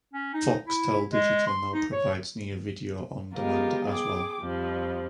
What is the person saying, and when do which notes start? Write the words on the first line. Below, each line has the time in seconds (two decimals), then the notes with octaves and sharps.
Foxtel Digital now provides Near Video on Demand as well.
0.13 C#4
0.34 D#4
0.67 E4
1.13 G#3
1.47 C6
1.73 D#4
1.92 C#5
3.34 G#3 B3 F4 G4 A#4
3.86 G#4 G5 D6
4.41 F2 F3 G3